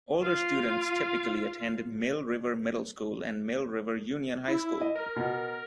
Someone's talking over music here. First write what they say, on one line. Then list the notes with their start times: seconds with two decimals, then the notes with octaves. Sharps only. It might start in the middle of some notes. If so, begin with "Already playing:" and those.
Older students typically attend Mill River Middle School and Mill River Union High School.
0.21 F4 F5
4.48 E4
4.81 D#5
4.95 A#4
5.16 B2